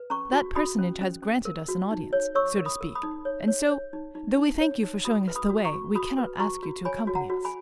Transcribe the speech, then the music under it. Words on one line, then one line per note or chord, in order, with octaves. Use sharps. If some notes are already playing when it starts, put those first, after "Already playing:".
"That personage has granted us an audience, so to speak, and so, though we thank you for showing us the way, we cannot ask you to accompany us."
Already playing: B4
C#4 A#5 C#6
F#4
F#4 B5 D#6
C#4
C#4
C#4
A#4
F#4
D#4
C#5
C#5 C#6 E6
A#4
B5 D#6
A#4
B5 D#6
D#4
C#5
C#5
C#5
D#4
D#4
D#4
C#5
D#4
F#4 B5 D#6
B4
B5 D#6
F#4
A#5 C#6
F#4
F#4 B5 D#6
B4
F#4 A#5 C#6
F#4
C#5 G#5 B5
F#4
F#5 A#5
F#4
G#5 B5